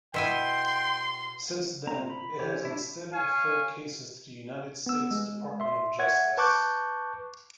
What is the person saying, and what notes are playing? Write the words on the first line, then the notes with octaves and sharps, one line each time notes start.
Since then, it has instead referred cases to the United States Department of Justice.
B2 E4 G5 G#5 C6
C4 A#5
B5
E3 G4 C5 C#5
D4 E4 C#5
C#5 F5 G#5
B3 E6
G#3
E5 C6
C#5 E5 F#5 G#6
B4 A5 C#6 D6 F#6 G6